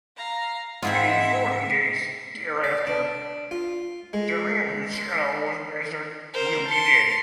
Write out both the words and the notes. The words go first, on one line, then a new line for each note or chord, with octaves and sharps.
Within forty days thereafter the man whose shadow was measured will be dead.
F5 A#5
G#2 G#3 C4 E4 F4 E5
D5
D4
F4
G#3
C6
A#4 C5
A5 C6